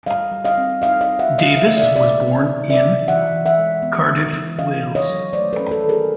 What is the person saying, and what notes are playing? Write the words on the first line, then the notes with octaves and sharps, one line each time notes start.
Davis was born in Cardiff, Wales.
G3 D#5 F5
G3
D#5 F5
C4
D#4 D#5 F5
D#5 F5
G3
E5 F#5
G3
D#5 F5
D#4 E5
D#5
D5 E5
B2
D5 E5
G3
C4
D#4
D5 E5
B2
E3 E5 F#5
E3
E5 F#5
G#3
B3
E3
E3
C#4 D#5 F5
D#3
C#5 D#5
F#3
A3 C5 D5
A4 B4
C#4
A4 B4
D#3
G#4 A#4